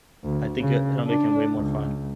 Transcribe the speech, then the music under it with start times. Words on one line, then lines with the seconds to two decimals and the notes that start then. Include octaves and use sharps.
I think it it'll make him way more fun.
0.24 D2
0.59 C#3
1.07 D4
1.55 C#2